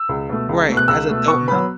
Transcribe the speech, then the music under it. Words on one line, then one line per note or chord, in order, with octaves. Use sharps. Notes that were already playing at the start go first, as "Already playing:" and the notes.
Right, as a adult now
Already playing: E6
C#2
B2 A3
C#2
B2 A3
F#6
C#2 E6
B2 A3
B2 C#6
F#3 B3 B5